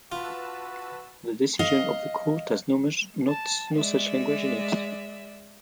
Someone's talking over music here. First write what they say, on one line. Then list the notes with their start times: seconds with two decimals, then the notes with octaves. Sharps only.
The decision of the court has no such language in it.
0.12 F4 F#4 B4 A5 E6
1.59 D#5 F5
3.27 A5
3.73 G#3 D5 E5